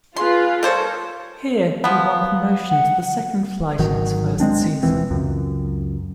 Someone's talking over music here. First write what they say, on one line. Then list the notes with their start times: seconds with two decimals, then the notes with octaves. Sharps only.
Here, he won promotion to the second flight in his first season.
0.16 F4 G#4 B4 C6
0.63 G3 A4 A#4 C5 C#5
1.84 F3 B3
2.70 F#5
3.79 G#1 D#3 F#3
4.40 G#3 C4 D4
4.83 D#1 E3 C4
5.10 C#2 F#2